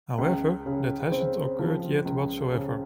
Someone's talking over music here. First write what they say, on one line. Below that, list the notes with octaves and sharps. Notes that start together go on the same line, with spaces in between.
However, that hasn't occurred yet whatsoever.
C#2
C#3
C4
F3
C#2
C#3